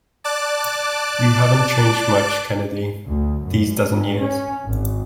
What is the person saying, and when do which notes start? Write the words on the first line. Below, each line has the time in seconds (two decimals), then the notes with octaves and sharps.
You haven't changed much, Kennedy, these dozen years.
0.24 D5 A5 D6 F#6
3.06 D2
3.43 F#2
3.85 G#2
4.19 C#4
4.65 G#1